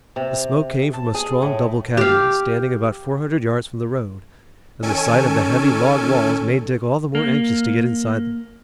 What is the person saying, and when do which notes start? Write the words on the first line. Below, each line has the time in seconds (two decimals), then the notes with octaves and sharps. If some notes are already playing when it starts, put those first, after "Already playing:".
The smoke came from a strong double cabin, standing about four hundred yards from the road, and the sight of the heavy log walls made Dick all the more anxious to get inside them.
0.16 C3
0.94 A5
1.14 G#4
1.42 A2
1.97 G4 F5
4.82 D#3 C#4 A4 G#5 D7
7.15 A#3